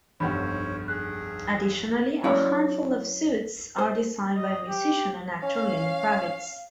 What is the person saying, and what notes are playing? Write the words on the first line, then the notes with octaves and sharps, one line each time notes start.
Additionally, a handful of suites are designed by musician and actor Lenny Kravitz.
F1 B1 G2 C5 C#5 F#5 B5
G#4 F#6
F#3 C#4 E4 C#5 D5 F5
C5
D#5
G4
C#4 F5